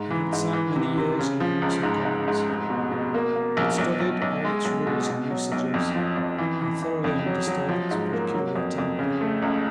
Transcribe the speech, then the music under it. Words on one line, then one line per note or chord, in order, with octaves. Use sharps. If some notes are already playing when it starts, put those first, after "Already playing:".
He had sate many years in the House of Commons, had studied all its rules and usages, and thoroughly understood its peculiar temper.
Already playing: G#2
E3
G#2
E3
C3
C3
C#3
F3
C#2
G#2
G#2
G#2
F1
B2
B2
A#3
A#3
A#1
B1
B1
B1
G#3
B1
B2
B2
F#3
B1
F2
F3
F2
E3
E3
E3
F2
F#3
F#3
F3
G#2
A#3
F#3
F2
F2
C#3
A3
C#2